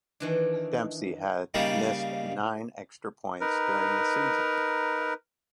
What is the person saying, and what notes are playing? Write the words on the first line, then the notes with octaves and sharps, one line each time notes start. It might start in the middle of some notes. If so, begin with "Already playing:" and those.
Dempsey had missed nine extra points during the season.
D#3 E3 D4
C#3 G3 A#3 D#4
D#4 A#4 B4